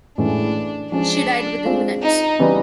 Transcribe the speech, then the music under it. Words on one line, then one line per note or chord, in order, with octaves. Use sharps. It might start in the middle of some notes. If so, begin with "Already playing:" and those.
She died within minutes.
A2 E3 G#3 C#4 D4 E4
F3 G#3 C#4 D4
G#3 C4 F4
D#4
C#3 E3 G3 B3